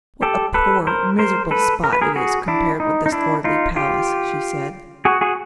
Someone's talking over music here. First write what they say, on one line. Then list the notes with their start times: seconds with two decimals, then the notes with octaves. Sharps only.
"What a poor, miserable spot it is compared with this lordly palace!" she said.
0.22 G4 A4
0.54 A4 B4
0.87 A#4 C5
1.19 A#4 C5
1.51 A4 B4
1.84 A#4
1.93 B4
2.02 G#4 A#4
2.16 F#4 G#4
2.48 D4 E4
2.80 D#4
3.06 D#4
3.12 D4 E4
3.44 D#4 F4
3.76 F4 G4
5.05 F#4 G#4
5.21 F#4 G#4